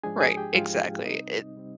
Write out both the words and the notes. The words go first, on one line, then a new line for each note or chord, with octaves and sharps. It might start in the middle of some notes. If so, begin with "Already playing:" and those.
Right. Exactly. It,
G#2 F3 G#3 D4 G#4 G#5
G#4 G#5
G4 G5
G#2 F3 G#3 D4 F4 F5
C3 G3 C4 D#4 D#5
C3 G3 C4